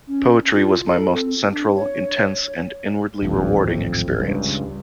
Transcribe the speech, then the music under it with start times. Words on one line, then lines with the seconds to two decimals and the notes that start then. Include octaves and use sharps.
Poetry was my most central, intense and inwardly rewarding experience.
0.07 C#4
0.54 F4
0.86 A4
1.12 C4
1.47 D4
1.76 C#5
3.23 D1 G#1 F2
4.20 C#2 G2